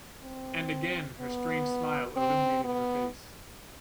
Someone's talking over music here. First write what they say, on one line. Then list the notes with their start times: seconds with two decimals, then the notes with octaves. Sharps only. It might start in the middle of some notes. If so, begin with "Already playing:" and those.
And again her strange smile illuminated her face.
0.24 C4
1.20 B3
2.16 C4
2.64 B3